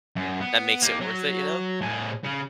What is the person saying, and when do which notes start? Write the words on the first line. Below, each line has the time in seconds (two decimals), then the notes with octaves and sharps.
that makes it worth it, you know?
0.16 F#2
0.41 B3
0.82 A#3 G4
1.01 F#3
1.81 A2 G#4
2.24 C#3